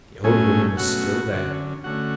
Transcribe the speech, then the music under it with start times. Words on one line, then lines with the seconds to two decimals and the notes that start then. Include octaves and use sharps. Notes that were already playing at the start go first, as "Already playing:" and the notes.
The old woman was still there.
0.24 A2 F#3 A3 C#4 G#4 G#5
0.77 B2 F#3 A3 C#4 F#4 F#5
1.31 D3 F#3 C#4
1.84 D3 A3 C#4 F#4 F#5